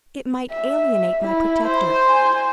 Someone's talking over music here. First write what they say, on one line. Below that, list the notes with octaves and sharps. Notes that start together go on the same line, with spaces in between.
It might alienate my protector.
E5
E4
C5
G#5